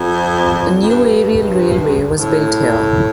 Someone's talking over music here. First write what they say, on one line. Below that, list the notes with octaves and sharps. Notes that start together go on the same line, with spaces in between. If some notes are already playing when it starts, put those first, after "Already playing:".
A new aerial railway was built here.
Already playing: F2
F2
G2
A2